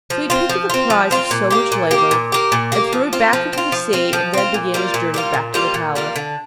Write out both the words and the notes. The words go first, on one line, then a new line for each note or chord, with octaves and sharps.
So he picked up the prize of so much labour, and threw it back into the sea, and then began his journey back to the palace.
F3
C4 F4
F3
C4 F4
F3
C4 F4
A#2
A#3 G4
A#2
A#3 G4
A#2
A#3 G4
A#2
A#3 G4
F3
C4 F4
F3
C4 F4
F3
C4 F4
F3
C4 F4
A#2
G3 A#3 F4
A#2
G3 A#3 F4
A#2
G3 A#3 F4
A#2
G3 A#3 F4
D3